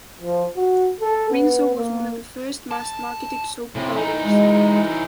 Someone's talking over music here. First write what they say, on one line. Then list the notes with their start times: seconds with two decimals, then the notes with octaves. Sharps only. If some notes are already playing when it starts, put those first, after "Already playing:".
Rinso was one of the first mass-marketed soap powders.
0.21 F3
0.56 F#4
1.01 A4
1.31 B3
1.76 A#3
2.71 A5
3.75 A2 C3
3.96 E3 D#4
4.24 G#3